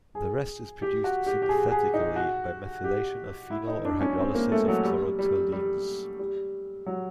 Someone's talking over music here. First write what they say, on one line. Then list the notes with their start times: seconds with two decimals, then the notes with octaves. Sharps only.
The rest is produced synthetically, by methylation of phenol or hydrolysis of chlorotoluenes.
0.15 G#4
0.82 G4
1.04 F#4
1.26 G4
1.42 G4
1.49 G#4
1.71 G#4
1.94 D#4
2.16 F#4
2.84 G4
3.51 E4
3.67 D#4
3.85 D4
4.01 C#4
4.18 C4
4.35 A#3
4.52 A3
4.68 F#3
4.85 G3
5.19 G3
5.52 G3
6.19 G3
6.86 F#3